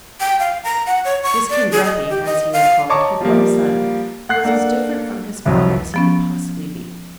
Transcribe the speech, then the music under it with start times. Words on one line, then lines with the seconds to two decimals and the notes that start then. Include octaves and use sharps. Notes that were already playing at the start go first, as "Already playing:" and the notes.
This King Grumpy, as he was called, had one son, who was as different from his father as he could possibly be.
0.20 G5
0.39 F5
0.64 A#5
0.86 F#5
1.05 C#5
1.23 C#6
1.50 D5
1.72 G#4
1.85 D#5
2.09 G4
2.25 D#5
2.53 F5
2.90 C#5 D#5 A5 A#5 C#6 D6
3.21 F3 G3 A#3
4.29 F#5 F#6 C7
4.44 A#3 D4 A4 F#5
5.45 C2 F2 F#3
5.94 F3 B3 C#4